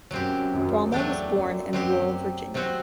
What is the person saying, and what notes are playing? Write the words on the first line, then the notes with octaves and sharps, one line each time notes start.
Bromell was born in rural Virginia.
F#2 F#3 C4 G4
F#2
E2 F#3 A3 D4 G4
F#2
F#3 C4 G4
C3 F#3 C4 F#4